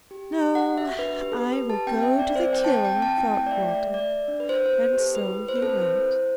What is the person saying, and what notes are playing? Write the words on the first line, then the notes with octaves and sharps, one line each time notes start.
'No, I will go to the kiln,' thought Walter, and so he went.
G4
G4
A4 F#5
F#4 E5
D4 B4
G4 B4
A4
B4
G4
B4
G4 A5
C4 G5
E5
C4
D5
C4
C5
C4 G5
A5
G5
C4
G5
C4
A5
E4 G5
G5
A3
D5
E5
A3
D5
A4 E5
D5
A4
D4
B4
E4 C5
C5
B3
B4
G4
A4
E4 B4
E4
C5
B4
C4 A4
B4
E4 C5
E4